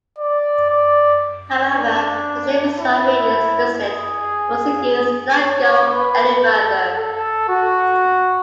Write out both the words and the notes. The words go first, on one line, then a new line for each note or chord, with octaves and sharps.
However, his name was not made explicit and proceedings did not go any further.
D5
D5
D4
E4
G#4
C#5
B4
A4
A4
F#4